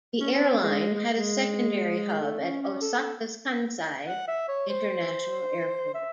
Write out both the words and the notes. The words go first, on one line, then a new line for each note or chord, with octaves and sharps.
The airline had a secondary hub at Osaka's Kansai International Airport.
C#4
C4
G#3
G#3
G#3
A3
C#4
C#4
A4
F#5
E5
C#5
C5
E5